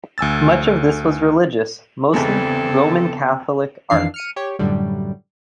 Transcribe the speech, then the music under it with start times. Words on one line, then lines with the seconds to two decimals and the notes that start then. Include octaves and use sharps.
Much of this was religious, mostly Roman Catholic art.
0.18 D2 G#5 E6 A6
2.14 E2 G2 C#3 G#3 B3 C4 A4
3.90 F2 D#3 E3 D4 F5 C7
4.14 F6 C#7 D#7
4.36 G4 C#5
4.59 F#2 A2 D3 F#3 G3